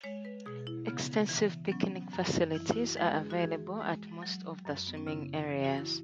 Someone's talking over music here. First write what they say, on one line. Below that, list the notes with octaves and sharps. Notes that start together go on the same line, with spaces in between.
Extensive picnic facilities are available at most of the swimming areas.
G#3 C#5
B4
B2 G#4
E4
C#3 B3
E3
B3
F#3 C#4
F#2
E3 E4
E4
F#4
G#3 B4
G#4
F#4
E3 G#4
G#3
F#3
F#2
B3
C#4
C#3 E4
E3
F#4
E4